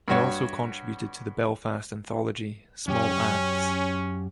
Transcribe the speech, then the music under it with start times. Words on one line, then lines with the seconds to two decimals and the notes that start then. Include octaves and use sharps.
He also contributed to the Belfast anthology "Small Axe".
0.08 G2 F#4 C#5
2.88 F#2 C#4 G4